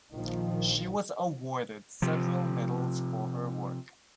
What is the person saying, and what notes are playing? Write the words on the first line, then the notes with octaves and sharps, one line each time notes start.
She was awarded several medals for her work.
A#1 D#3 F3
C3 F3